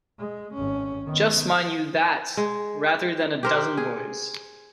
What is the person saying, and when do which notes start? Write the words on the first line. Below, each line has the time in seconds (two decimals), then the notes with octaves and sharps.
Just mind you that — rather than a dozen boys.
0.19 G#3
0.54 G#1 C#4
1.06 D#3 B3
2.37 G#3
3.43 G4 A#4 C5
3.77 G#4